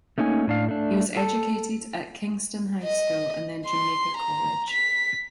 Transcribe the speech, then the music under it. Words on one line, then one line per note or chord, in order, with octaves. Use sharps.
He was educated at Kingston High School and then Jamaica College.
A3 A#3 C#4 D#4 G#5
A2 D4 F5
A3 D4
A4 A5
D#5
C6
A#5
B6